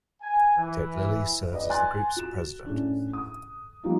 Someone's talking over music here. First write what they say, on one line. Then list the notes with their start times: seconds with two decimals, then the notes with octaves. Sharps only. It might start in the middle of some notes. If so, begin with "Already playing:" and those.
Ted Lillie serves as the group's president.
0.22 G#5
0.57 E3
1.52 B4 D5 D#5
1.70 G#5 C6 F#6 A6
2.16 F#4 E7
2.66 A2 C#4 D4
3.13 D#6
3.83 F3 G3 A#3 B3 D#4 F4